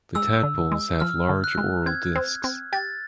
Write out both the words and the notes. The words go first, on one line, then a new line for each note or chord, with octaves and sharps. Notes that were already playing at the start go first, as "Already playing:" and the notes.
The tadpoles have large oral discs.
G#3 E6
D3
G#3
F3 F6
D3
F#6
G#3
C4 G#6
C4
C4
G4 A6